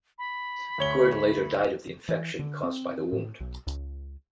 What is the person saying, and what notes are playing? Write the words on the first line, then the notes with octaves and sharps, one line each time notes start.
Gordon later died of the infection caused by the wound.
B5
D2 C#5 G7
E3
D3
C4
A2
B1
C#2